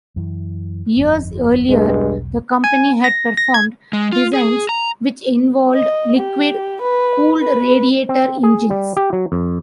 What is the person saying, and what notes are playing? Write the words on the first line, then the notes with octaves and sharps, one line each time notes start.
Years earlier, the company had performed designs which involved liquid-cooled radiator engines.
F#2 E3
G1 F2
E1 B1 G2 B2 G#3
G#5
A#6
A#6
G#6
G#3
F4
G#4
A#5
D#5
G4
B4
B4
C4
G#4
G3
G4
F#3
F2